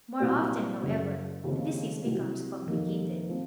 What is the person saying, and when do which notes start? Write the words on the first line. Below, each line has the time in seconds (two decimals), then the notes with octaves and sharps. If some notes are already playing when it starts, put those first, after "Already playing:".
More often, however, the disease becomes complicated.
0.20 C2 A#2 F#3 C4
0.82 F#1 F#2 C#3
1.44 D#2 C#3 F3 C4 D#4
2.05 C2 C3 F#3
2.66 F1 D#2 D#3 A#3 D#4
3.29 F3 C4